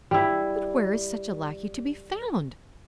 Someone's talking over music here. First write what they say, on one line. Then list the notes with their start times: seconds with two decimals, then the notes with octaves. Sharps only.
"But where is such a lackey to be found?"
0.11 G3 E4